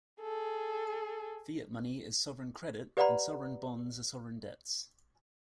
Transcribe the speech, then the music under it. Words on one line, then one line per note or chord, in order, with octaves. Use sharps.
Fiat money is sovereign credit and sovereign bonds are sovereign debts.
G#4 A4
G4 B4 D5 F#5 A#5 B5